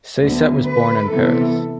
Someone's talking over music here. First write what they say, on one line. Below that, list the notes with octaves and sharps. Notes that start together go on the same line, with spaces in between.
Saiset was born in Paris.
D2 D3 F#3 B3
B4
C3 E3 B3 A4